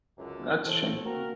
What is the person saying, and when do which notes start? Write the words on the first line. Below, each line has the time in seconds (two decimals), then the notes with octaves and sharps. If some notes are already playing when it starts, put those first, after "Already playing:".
That's a shame too.
0.18 C#2 F#2 D3
0.66 E3 A4 C5 C#5
1.05 A#3 C4 F#4 A#4